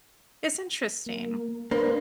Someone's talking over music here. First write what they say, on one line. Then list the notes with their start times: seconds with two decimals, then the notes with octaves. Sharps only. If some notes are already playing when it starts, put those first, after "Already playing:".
it's interesting.
1.06 A#3
1.71 A#3 D4 B4 C5